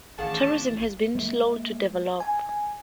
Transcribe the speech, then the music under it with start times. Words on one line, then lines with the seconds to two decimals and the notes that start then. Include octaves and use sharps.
Tourism has been slow to develop.
0.19 A1 D#3 C#4 D4 G#4 F5 F#5 A5
1.15 G#3 A#3
2.20 G#5